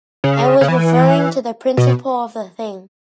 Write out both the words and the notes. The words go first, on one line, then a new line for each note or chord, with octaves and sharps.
I was referring to the principle of the thing.
C#3
C#3
E3
B2